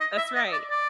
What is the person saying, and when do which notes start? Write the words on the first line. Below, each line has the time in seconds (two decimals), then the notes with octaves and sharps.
That's right.
0.01 D#5
0.18 E5
0.36 D#5
0.52 D5
0.71 D5